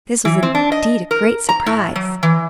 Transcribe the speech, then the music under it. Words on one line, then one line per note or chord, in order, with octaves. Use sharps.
This was indeed a great surprise.
E3
C4
D4
D#5
A#4
A#5
A2
F#3
E3